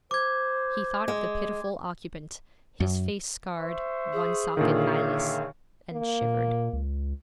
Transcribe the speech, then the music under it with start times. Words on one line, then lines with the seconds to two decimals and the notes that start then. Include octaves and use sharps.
He thought of the pitiful occupant--his face scarred, one socket eyeless--and shivered.
0.11 C5 D6 G#6
1.08 G#3
2.80 F#2
3.59 C5 E5 C#6
4.13 G#4
4.57 A#2 D3 D#3 C#5 E5 F5
5.92 A#3
6.22 A#2
6.73 C#2